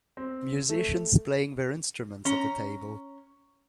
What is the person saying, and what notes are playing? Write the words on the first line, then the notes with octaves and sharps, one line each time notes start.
Musicians playing their instruments at a table.
C4
A3
C#4 A#5